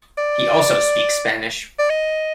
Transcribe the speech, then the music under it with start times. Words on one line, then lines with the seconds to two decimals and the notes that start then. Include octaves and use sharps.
He also speaks Spanish.
0.18 D5
1.79 D5
1.90 D#5